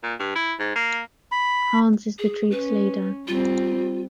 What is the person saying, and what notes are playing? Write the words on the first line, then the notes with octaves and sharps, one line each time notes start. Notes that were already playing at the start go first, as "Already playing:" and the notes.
Hans is the troupe's leader.
A#2
G2
E4
G#2
A#3
B5
G#4
C#4 B4
G3 C4 F4